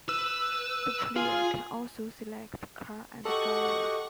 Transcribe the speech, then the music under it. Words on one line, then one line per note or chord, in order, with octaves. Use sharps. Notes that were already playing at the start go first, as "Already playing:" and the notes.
The player can also select car and driver.
B4 E6
F4 G#4 G#5
F#4 G4 A4 D#5 F#5 C#6